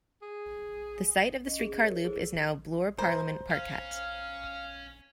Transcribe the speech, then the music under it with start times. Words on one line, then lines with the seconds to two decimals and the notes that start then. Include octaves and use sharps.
The site of the steetcar loop is now Bloor - Parliament Parkette.
0.22 G#4
1.46 C#4 D#5
1.60 G#4
1.79 A#4 C#5
2.05 E4 G#4 A4 C5
2.98 C5 A#5 B5 G6
3.50 C#4 F5